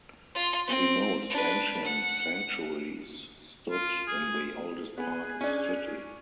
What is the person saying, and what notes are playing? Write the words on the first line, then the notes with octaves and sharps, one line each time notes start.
The most ancient sanctuaries stood in the oldest part of the city.
F4 C6
C4
D4 B4
F#5
F4
G#4
B3 G#4 G#5 F#6
C#4 D4